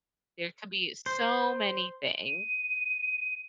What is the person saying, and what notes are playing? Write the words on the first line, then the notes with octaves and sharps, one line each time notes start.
There could be so many things
C5
D#7